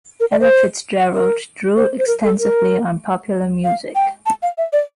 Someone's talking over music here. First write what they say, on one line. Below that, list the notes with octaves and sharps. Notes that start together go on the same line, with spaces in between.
Ella Fitzgerald drew extensively on popular music.
A#4
D5
C5
A#4
C5
C5
A#4
A4
A#4
F5
G5
A5
F5
E5
D5